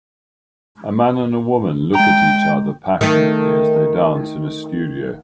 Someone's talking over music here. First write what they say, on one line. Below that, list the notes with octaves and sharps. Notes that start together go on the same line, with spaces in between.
A man and a woman look at each other passionately as they dance in a studio.
G#3 G5 A#5
D#3 A3